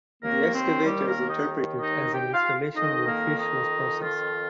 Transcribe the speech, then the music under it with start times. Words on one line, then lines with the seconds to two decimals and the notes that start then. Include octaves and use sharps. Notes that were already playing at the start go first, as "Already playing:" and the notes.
The excavators interpret it as an installation where fish was processed.
0.23 D#2 D#3 A#3 A#4
0.55 C4 C5
0.86 G3 G4
1.07 A#3 A#4
1.28 D#4 D#5
1.80 D#4 D#5
2.12 G4 G5
2.33 F4 F5
2.75 F2 D#3 D#4 D#5
3.07 A#3 A#4
3.39 D#4
4.01 F4